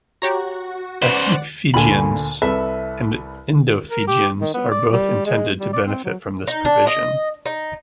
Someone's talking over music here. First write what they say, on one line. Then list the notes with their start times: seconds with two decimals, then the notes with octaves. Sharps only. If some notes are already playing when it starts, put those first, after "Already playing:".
Ethnic Fijians and Indo-Fijians are both intended to benefit from this provision.
0.22 F#4 G4 C#5 A#5
1.02 C#3 B4 C5 D5 F#5
1.74 D2 A#2 D3 G#5 B5
2.42 C2 A4 B4 E5
3.91 A#4
4.08 G4
4.41 D#3
4.54 B3
4.71 D5
4.92 G3
5.26 G#3
5.60 G3
5.73 D5
5.86 C4
6.04 F#3
6.47 D#4
6.65 D4
6.87 D#5
7.46 D#4